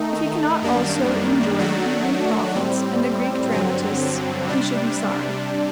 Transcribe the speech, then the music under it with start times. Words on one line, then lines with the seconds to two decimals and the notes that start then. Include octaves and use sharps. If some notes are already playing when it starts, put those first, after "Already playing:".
If he cannot also enjoy the Hebrew prophets and the Greek dramatists, he should be sorry.
Already playing: D#3 A3 D#4
0.62 F#2 D#3 G3 A#3 D4
1.59 D#3 F#3 A3 D4 F#4
2.55 A2 G3 C4
3.51 G2 D3 F#3 C4
4.48 C3 G3 D4